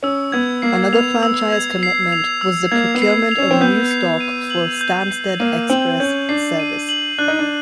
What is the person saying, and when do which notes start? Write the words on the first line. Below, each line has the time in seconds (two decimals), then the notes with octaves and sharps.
Another franchise commitment was the procurement of new stock for the Stansted Express service.
0.03 C#4 E6
0.32 B3 G#6
0.62 A#3 C7
0.93 B3 F7
1.23 E6
1.53 G#6
1.83 C7
2.12 F7
2.41 E6
2.71 A#3 G#6
2.95 B3
3.02 C7
3.31 F7
3.38 C#4
3.51 C4
3.61 B3 G6
3.91 C7
4.20 D#7
4.50 F#7
4.81 G6
5.11 C7
5.39 A#3 D#7
5.70 C4 F#7
6.00 C#4 G6
6.29 D4 C7
6.59 D#7
6.89 F#7
7.18 D4 F#6
7.28 D#4
7.39 D4